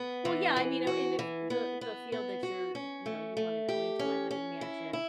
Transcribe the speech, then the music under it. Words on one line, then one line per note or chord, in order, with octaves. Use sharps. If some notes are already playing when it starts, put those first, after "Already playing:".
Well, yeah, I mean it w and if y the the field that you're you know, you wanna go into, I would imagine
Already playing: B3
E3
E3
F#4
E3
B3
B3
B3
F#4
C#4
A3
A3
G4
C#4
C#4
E4
E4